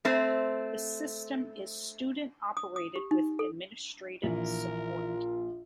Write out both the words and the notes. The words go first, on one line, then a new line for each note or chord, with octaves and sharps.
The system is student-operated with administrative support.
A3 C4 C5
D#6
D#6
G4
D#4
A4
A#1 E3 E4 F4 A#4